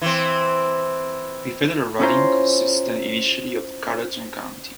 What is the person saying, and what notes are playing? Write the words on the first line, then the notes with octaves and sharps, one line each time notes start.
The federal riding consisted initially of Carleton County.
E3 C4
C#4 E4 F4 C5 A#5 C6